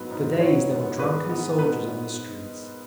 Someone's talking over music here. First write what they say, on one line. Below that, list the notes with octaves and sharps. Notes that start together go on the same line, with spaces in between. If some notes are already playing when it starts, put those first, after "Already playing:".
For days there were drunken soldiers on the streets....
Already playing: G#2 F#3 B3 B4
G#2 F#3 B3
G#2 F#3 B3 C#5
G#2 F#3 B3
G#2 G#3 B3 B4
G#2 G#3 B3
G#2 G#3 B3 B4